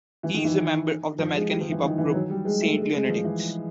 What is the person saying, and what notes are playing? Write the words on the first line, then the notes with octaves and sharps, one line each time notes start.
He is a member of the American hip hop group Saint Lunatics.
E3
D#3
E3
F3
G#3
G3
F3
E3
D#3
E3
F#3
G3
G#3
A3
G#3
G#3
F3
E3